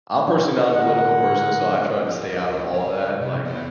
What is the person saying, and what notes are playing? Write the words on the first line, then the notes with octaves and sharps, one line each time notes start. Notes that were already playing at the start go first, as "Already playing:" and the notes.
I'm personally not a political person, so I try to stay out of all that, like, I
A2 D3 G#4 A#4 F#5
F4 D#5
C#2 C#5
C3
B3 E4